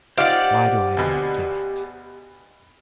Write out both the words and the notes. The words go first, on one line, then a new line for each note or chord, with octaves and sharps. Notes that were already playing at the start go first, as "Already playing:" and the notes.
Why do I not give it?
D#4 F4 G4 C5 D5 F5 F#5
D2 B2